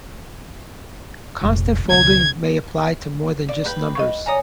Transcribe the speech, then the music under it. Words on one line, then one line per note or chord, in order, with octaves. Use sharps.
Constant folding may apply to more than just numbers.
F1 A#1
C#2 B2 G#6
D5
B4 G5 B5
D#5 F5 C#6
C#5 D5 G#5 A#5 D#6